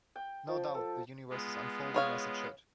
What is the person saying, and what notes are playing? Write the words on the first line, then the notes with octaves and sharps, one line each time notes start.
No doubt the universe is unfolding as it should.
G5
F3
A4
G#3 B3 F4
G#4 C#5 F5